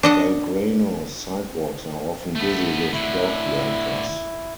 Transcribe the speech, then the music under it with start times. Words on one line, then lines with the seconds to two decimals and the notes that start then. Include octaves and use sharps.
Belgrano's sidewalks are often busy with dog walkers.
0.03 D4 D#5 F#5
2.35 A3 B3
2.93 A2 D3 E4